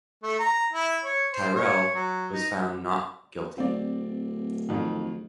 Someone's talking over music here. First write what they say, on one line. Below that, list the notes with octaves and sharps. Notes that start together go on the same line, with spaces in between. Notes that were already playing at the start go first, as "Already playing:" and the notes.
Tirrell was found not guilty.
A3
A#5
E4
C#5
C5
C#5
F#3
D#4
D1 C4 D5
F2 D#3